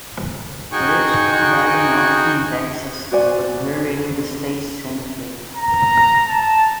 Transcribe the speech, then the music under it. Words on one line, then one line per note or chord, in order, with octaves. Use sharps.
Lipscomb died in Austin, Texas and was buried in the State Cemetery.
D#4 F#4 G#4 G5 G#5 C#6
F#4 C5 D5 G#5
A#5
A5